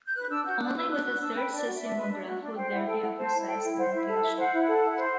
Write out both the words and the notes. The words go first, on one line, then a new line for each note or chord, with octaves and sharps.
Only with a third seismograph would there be a precise location.
G6
B4 F#6
D4 E6
F#4 G6
D4 F#6
B4 E6
D4 F#6
F#4 F#6
D4 E6
B4 G5
D4 D5
F#4
E5
D4
B4
D4
F#4
D4
C5 G5
E4 F#5
A4 G5
E4 F#5
C5 A5
E4
A4 G5
E4
C5 F#5
E4 E5
A4 E5
F#5
E4 E5
C5 F#5
E4
A4
E4
C5